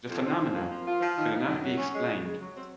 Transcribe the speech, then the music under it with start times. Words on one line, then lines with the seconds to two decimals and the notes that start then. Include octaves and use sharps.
The phenomena could not be explained.
0.08 F2
0.24 C4
0.39 F2
0.55 A#3
0.70 F3
0.85 F4
1.01 F3
1.16 D#3
1.31 D#3
1.47 F#2
1.63 F#3
1.77 C#4
1.93 G#3
2.08 C#3
2.24 G#3
2.39 F#3
2.56 C4